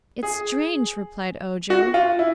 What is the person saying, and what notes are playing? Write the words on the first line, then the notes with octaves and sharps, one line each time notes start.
"It's strange," replied Ojo.
G#4
F#4
F4
E4